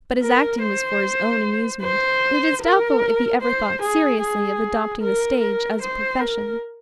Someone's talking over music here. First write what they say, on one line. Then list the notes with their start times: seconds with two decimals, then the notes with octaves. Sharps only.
But his acting was for his own amusement, and it is doubtful if he ever thought seriously of adopting the stage as a profession.
0.22 A#4
0.62 C5
1.82 C5
2.62 A#4
3.41 C5
3.82 G#4
4.21 G#4
5.02 A#4
5.40 A#4
5.81 C5
6.20 A#4